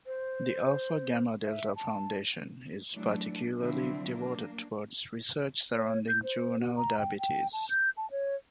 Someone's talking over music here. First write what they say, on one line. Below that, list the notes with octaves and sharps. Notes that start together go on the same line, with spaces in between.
The Alpha Gamma Delta Foundation is particularly devoted towards research surrounding Juvenile Diabetes.
C5
E5
A5
E3 F#3 A3 D4
D3 F3 F#3 C4 D4 E4
A#3 D4
C#5
G6
C5
F#4
A#5
G5
G5
A5
G6
A5
C#5